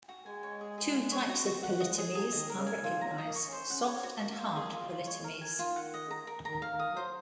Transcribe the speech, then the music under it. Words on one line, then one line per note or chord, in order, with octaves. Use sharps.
Two types of polytomies are recognised, soft and hard polytomies.
F#4
G#3 G#5
C#5
G#4
G#4
F#5
C#5
F#4
F#4
C4
A#3 F#5
A#3 D#5
G#3
G#4
F#3
G#4
D#3 D#5
A#4
C#3
G#5
C#3
D#3
F4
F#3 A#5
D#5
A#3
C#6
C#4
C5
C#4 F#5
C#5
C4
F#4
A#3
F#4
C5
G#4
F4
F4
G#3 C#5
A#4
D#3
G#5
D#3
F4
F#5
D#5
A#5
A#4
D#3 A#5
F5
D#3
D#6
F#3
C5